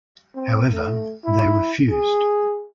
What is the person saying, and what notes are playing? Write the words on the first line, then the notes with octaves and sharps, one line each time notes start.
However, they refused.
C4
A3
E4
G#4